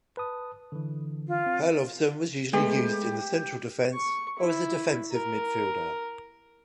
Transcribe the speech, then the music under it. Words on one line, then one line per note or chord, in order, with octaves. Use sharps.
Herlovsen was usually used in the central defence or as a defensive midfielder.
B4 A5 D#6
D3 E3
F4
C4
G#3 A3 B3 G4
C#6
E4
A#4